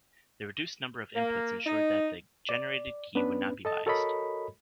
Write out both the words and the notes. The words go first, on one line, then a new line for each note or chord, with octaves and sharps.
The reduced number of inputs ensured that the generated key would not be biased.
A#3
D#4
D5
B3 C#4 D4 B4
A4 D#5 A5
F#4 A4 A#4 C#5 D#5 B5